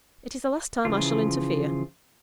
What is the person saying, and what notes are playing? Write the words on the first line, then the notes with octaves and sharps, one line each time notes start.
It is the last time I shall interfere.
C#3 E3 F3 F4